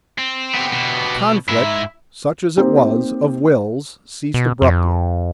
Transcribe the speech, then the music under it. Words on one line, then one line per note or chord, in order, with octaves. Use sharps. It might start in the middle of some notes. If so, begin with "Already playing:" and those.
The conflict, such as it was, of wills ceased abruptly.
C4
B3 G4
B2
G#2 E4
A#3 C4 D#4 G4 C5
B2
F2